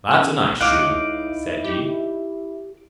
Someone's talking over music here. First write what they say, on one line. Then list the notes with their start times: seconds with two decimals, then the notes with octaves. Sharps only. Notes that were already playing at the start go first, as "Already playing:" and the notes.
'That's a nice shoe', said he.
0.11 C#3 B3 C#4
0.61 C#2 D#4 E4 F5 D6 F#6
1.64 G4